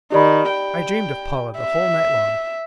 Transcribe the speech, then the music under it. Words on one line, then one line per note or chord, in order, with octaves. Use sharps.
I dreamed of Paula the whole night long.
D#3 G4 D5 B5
G5
E5